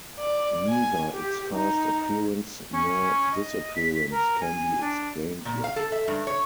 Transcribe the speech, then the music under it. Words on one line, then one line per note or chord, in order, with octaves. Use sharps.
Neither its fast appearance nor disappearance can be explained yet.
D5
G#5
G4
D#4
C#4
D#5
B6
A#4
G#5
D4
A#2
F5
A4
E5
G2
C#5